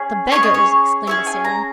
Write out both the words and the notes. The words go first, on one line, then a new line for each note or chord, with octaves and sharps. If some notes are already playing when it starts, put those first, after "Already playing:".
"The beggars," exclaimed the sailor.
Already playing: C#4 G#4
C#4 E4 G#4 C#5
D#5
C#5
C#4 E4 G#4 E5
G#5
A#5